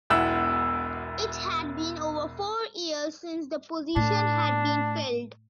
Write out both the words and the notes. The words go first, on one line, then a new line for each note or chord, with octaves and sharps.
It had been over four years since the position had been filled.
E1 B1 E4 F#5 E6
A2 D4